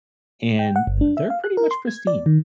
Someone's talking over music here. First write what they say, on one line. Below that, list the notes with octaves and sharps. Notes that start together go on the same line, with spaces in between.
and they're pretty much pristine.
G5
F#5
G1
D4
E5
F5
F#6
A#4
C6
G#6
D5
D#3